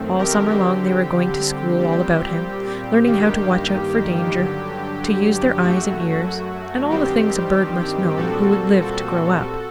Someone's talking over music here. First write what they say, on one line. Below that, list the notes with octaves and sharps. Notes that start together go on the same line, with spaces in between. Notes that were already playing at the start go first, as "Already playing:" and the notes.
All summer long they were going to school all about him, learning how to watch out for danger, to use their eyes and ears, and all the things a bird must know who would live to grow up.
Already playing: F#2 D#3 A3 C4
G4 A#4
D3 G3 C4 G4
A#2 G3 C4 G4
G2 D#3 G3 A#3 G4
G2 D3 F#3
F#2 F#3 A3 F#4
G2 D#3 G3 C4 G4
A#2 G3 C4 F#4 A4
F#4 A4